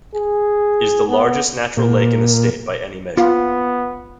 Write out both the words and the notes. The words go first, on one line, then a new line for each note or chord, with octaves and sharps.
It is the largest natural lake in the state by any measure.
G#4
B3
A#2
B3 F4